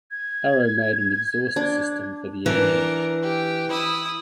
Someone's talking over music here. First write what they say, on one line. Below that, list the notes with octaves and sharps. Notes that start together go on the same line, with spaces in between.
Arrow made an exhaust system for the engine.
G#6
D4
E3 D4 A#4
G4
E4 D#6